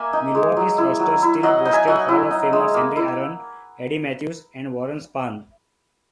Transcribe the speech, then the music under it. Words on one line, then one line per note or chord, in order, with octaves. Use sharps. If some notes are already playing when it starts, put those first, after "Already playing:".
Milwaukee's roster still boasted Hall of Famers Henry Aaron, Eddie Mathews and Warren Spahn.
Already playing: A#3 E5 G#5
D#4
G#3
F#3
E4
F#3
E4
F#3 D#5 F#5
D#4
E5 G#5
F#3 D#5 F#5
E4
D#4
G#3
A#3
E4